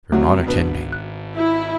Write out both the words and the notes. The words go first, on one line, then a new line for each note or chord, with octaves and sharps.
You're not attending.
C#3 F#3 A3 C4 F#4
G#1 B2 D4 B4
F#6
E4